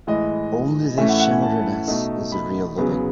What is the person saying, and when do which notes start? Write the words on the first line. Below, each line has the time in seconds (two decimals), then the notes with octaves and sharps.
Only this shimmeriness is the real living.
0.07 A2 E3 G#3 D#5
0.98 A2 E3 A3 C#4 E5
1.09 F#5
1.20 F#5
1.31 G#5
1.43 A5
1.87 B2 A3 D#4
2.32 B5
2.78 E2 C#3 F#3 B3